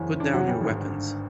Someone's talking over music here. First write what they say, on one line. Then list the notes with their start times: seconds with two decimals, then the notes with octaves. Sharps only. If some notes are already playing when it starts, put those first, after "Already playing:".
Put down your weapons.
Already playing: F#1 E2 C#3 E3
0.20 D4
0.33 F#3 F#4
0.48 G3 G4
0.61 G#1 G2 D3